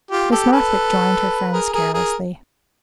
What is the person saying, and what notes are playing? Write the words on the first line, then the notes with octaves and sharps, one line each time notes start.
Miss Northwick joined her friends carelessly.
F4 G4
G4 A4
A4 B4
G#4 A#4
G#4 A#4
G#4 A#4